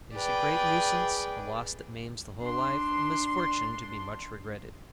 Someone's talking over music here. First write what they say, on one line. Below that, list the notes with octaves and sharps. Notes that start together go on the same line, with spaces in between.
It is a great nuisance, a loss that maims the whole life,--a misfortune to be much regretted.
G#4 B4 D5 G5
D4 C6